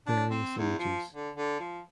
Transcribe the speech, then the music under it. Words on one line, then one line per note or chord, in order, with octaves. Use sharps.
Various images.
D4
C4
E2
F3
D3
D3
F3